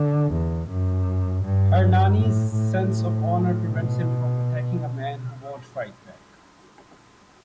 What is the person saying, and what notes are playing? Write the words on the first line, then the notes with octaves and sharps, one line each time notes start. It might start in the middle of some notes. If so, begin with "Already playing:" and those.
Hernani's sense of honor prevents him from attacking a man who won't fight back.
Already playing: D3
E2
F#2
G2
A2
A2
B2